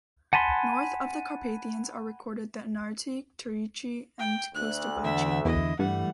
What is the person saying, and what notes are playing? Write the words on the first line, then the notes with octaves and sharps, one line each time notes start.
North of the Carpathians are recorded the Anarti, Teurisci and Costoboci.
F#5 G#5 A5 B5 C6
G5
D2 F#6
E2 D3 D5 E5 F#5
E2 D3 E4 D#5
G2 E3 G3 A3 F#5